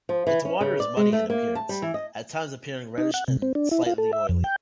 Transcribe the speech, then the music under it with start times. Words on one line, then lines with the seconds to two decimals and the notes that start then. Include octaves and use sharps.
Its water is muddy in appearance, at times appearing reddish and 'slightly oily'.
0.09 F3
0.27 E3
0.45 C#4
0.61 C#3
0.80 D5
0.97 G#3
1.13 A3
1.30 A#3
1.55 A5
1.69 G3
1.82 E3
1.94 D#5
2.98 D#4
3.14 F#5
3.28 C3
3.42 C4
3.55 D4
3.71 E4
3.86 F4
3.98 A4
4.13 E5
4.29 F2
4.44 G5